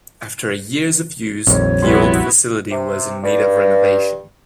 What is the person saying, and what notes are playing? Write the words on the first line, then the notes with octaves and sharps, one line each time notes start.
After years of use the old facility was in need of renovation.
A#1 F2 D#3 G3 C4 C#5
C2 G3 B3 E4 F#4 C6
C3
G2